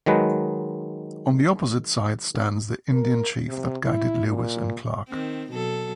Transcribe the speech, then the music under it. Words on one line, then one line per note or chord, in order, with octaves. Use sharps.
On the opposite side stands the Indian Chief that guided Lewis and Clark.
D#3 F#3 G#3 B4
A#4
C3
E4
A#2
D#3 C4
B2 F#3 A4